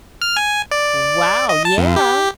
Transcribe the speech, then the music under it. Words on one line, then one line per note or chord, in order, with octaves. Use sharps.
Wow, yeah!
F6
G#5
D5
D#5
A5
F2
G4